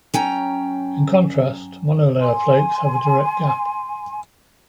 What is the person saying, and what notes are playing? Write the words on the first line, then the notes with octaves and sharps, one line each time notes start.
In contrast, monolayer flakes have a direct gap.
F#3 C#4 G5 A#5
G#5 C6